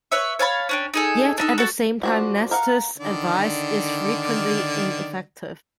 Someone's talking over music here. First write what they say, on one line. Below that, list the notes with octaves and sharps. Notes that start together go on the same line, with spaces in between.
Yet at the same time Nestor's advice is frequently ineffective.
B4 C#5 E5
C#5 F5 A5 B5
C#4 D4 G5
D#4 G#4 A4
D4 D#4 A4
F#4 A4 F#5
F3 D4 F#4
A#4 F5 F#5
D3 D#3 D5